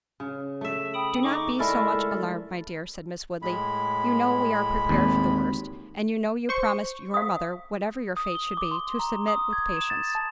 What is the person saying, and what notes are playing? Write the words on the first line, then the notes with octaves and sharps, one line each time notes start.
"Do not be so much alarmed, my dear," said Miss Woodley; "you know we are prepared for the worst; and you know you promised your mother, whatever your fate should be, to submit with patience."
C#3
A3 E5
G5 B5 D#6
D#4 C#6 D6
G#3 A3 E4 A#4 D5 D#5
A4
A2 G#3 B5
G#1 D#2
C5 C#6
F5 D#6
D#6
G7
D6
C6
A#5
D#6
G#6
E7
A6
A5